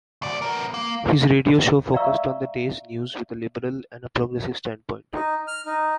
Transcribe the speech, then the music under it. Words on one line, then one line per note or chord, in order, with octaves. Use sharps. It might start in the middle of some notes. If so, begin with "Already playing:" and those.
His radio show focused on the day's news with a liberal and progressive standpoint.
D2 D5
B3 A#4
A#3
D5 E5 F5 A#5 C#6 E6
D#4
F6
D#4